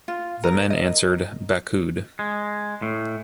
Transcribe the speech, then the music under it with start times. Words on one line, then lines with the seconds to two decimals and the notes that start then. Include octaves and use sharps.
The men answered "bakood".
0.08 F4
0.44 A#4
0.70 D#5
2.19 G#3
2.82 A2